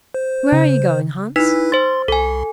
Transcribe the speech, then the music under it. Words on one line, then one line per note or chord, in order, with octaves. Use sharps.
'Where are you going, Hans?'
C5
C#3
D#4 E4 B4 E6 B6
C5 C6 A6
C2 A4 G#5